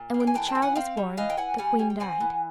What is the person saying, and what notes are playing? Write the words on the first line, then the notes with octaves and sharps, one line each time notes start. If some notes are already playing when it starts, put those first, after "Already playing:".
And when the child was born, the queen died.
Already playing: A#2
A#3
G5
G#5
E3 G5 A5
G5 A5
E3
F#5 G#5
C4 F5 G5
G3
E3 D#5 F5
G5
E3 F#5 G#5
G3 F#5 G#5
G3 G#5
G5
C4 F#5 G#5
E3